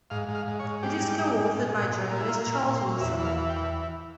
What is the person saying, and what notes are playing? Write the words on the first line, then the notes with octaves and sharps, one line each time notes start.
It is co-authored by journalist Charles Wilson.
G#2 F5
G#2
F5
G#2
C#5
G#2
G3 G4
G#2
G3
G#2
A#2
A#2
A#2
A#3
E4
A#3 F4
A#2
E4
A#2
C5
A#2
E2 E5
E3
F5
E2
G5
E3